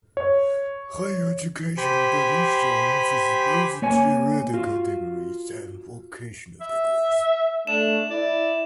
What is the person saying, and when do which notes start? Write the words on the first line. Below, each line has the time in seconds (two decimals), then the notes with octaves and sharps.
Higher education in Indonesia offers both theoretical degrees and vocational degrees.
0.17 C#5
1.77 G4 C5 G#5 B5
3.82 A#3 C#5 G#5
4.54 F4 F#4
6.61 E5
7.67 A3 D4 E7
8.10 E4 D5